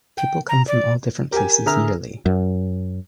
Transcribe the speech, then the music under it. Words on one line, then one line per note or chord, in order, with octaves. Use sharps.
People come from all different places yearly.
G5
A#5
D5
G4 A#4 G#5
D3 G#4 E5 A#5 E6 F6
F#2